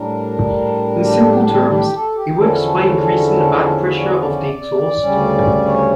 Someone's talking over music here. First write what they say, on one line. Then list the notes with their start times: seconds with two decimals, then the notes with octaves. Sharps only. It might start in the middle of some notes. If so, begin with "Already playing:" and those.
In simple terms, it works by increasing the back-pressure of the exhaust.
Already playing: A2 G3 D4 A#4
1.05 G4
1.19 A4
1.27 G4
1.49 G4
1.71 G4
1.93 A4
2.15 G4
2.36 E2 D3 F3 C#4 E4 A4
3.85 C#5
4.01 D5
4.18 D5
5.00 D2 C#3 G3 C#4
5.66 C#5